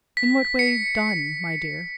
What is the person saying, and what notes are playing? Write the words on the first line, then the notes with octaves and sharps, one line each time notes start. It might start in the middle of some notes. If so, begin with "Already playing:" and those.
"In what way 'done,' my dear?"
B6
C#7